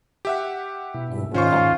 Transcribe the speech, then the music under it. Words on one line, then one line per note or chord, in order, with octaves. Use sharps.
Oh wow.
G4 E5 F#5
B2 E4
G#2 D#3 C#4 F4 C5 C#6